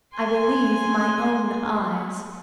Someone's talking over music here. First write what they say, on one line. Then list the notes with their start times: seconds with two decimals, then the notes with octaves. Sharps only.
I believe my own eyes.
0.14 G#5 C6